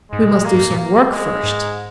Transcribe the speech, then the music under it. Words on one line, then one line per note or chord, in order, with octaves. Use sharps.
"We must do some work first."
G#2 G#3
A#2
C3
A#2
A#3
G#2
A#2
A#3
G#3
G#2